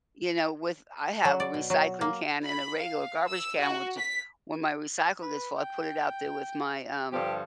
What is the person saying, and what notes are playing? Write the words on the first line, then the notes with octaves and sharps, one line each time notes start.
you know, with I have a recycling can and a regular garbage can, which it when my recycle gets full, I put it out there with my, um
F#3
D5
B2
F#3
A#3
B5
F5
E6
F#4
B6
B4
G5
G2 D3 F3 G4